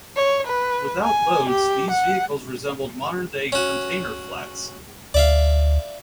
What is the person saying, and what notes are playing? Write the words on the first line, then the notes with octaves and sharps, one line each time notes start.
Without loads these vehicles resembled modern day "Container Flats".
C#5
B4
G#5
G4
F#5
C#4 F#4
D2 D5 E5 F5